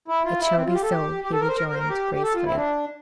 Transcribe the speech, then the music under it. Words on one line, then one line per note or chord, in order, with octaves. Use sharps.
"It shall be so," he rejoined, gracefully.
E4
F4
E4
C4
F4
G4
A4
G4
G4
A4
A#4
C5
A#4
A#4
C5
A#4
G4
G4
A4
F4
C4 E4
D4